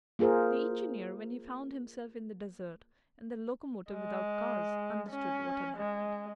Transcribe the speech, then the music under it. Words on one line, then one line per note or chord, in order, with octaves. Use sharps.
The engineer, when he found himself in the desert, and the locomotive without cars, understood what had happened.
A#3 F4 G#4 A#4 C5
G#3
C#4
G#3